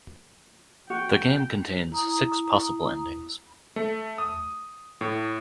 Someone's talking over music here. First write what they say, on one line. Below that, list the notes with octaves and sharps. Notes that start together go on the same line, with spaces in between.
The game contains six possible endings.
F#4 G5
E4 A#5 D#6
A3
D#6
A2